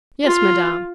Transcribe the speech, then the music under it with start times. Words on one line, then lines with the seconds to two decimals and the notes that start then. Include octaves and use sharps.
"Yes, madame."
0.24 F4